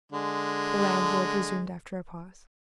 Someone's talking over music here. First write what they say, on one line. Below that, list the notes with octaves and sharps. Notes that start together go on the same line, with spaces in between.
The landlord resumed after a pause.
D3 G#3